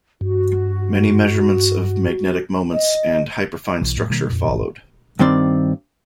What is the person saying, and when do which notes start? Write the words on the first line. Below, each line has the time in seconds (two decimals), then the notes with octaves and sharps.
Many measurements of magnetic moments and hyperfine structure followed.
0.21 G2 F#4
2.73 D#5
3.82 B1 E3
3.97 A2
4.10 B2 D#3 G3 A#3
4.30 F2 A#2
4.45 D#1 G#1 B2 E3
5.19 G2 D#3 C4 D5